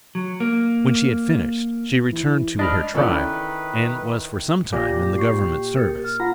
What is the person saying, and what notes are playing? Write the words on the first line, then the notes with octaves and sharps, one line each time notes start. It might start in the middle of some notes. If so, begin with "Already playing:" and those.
When she had finished, she returned to her tribe, and was for some time in the Government service.
F#3
A#3
E3
G#2 D4 D#5 B5 F6
D#3 E3 C#4 A4 B4 D5
A#2 G4 D6 A#6
C#6 C7
A#4 A6 C#7
F6
F4 F#5 A#5 B5